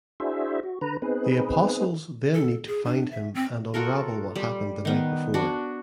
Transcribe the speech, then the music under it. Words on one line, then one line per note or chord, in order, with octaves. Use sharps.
The apostles then need to find him and unravel what happened the night before.
D4 E4 F#4 G#4 C5 E5
F#4
D3 B4 A#5
B3 C4 D#4 G#4 B4
A4
G#4
D4
E5
C4
F4 F#4 A4 A#4
G3
D#3 B3
D4 F#4